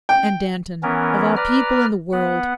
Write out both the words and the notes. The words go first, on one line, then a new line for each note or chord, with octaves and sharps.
'And Danton, of all people in the world!
G5
E3 B3 C#4 A#4
B4 D5 A#5 F6
B3 F#5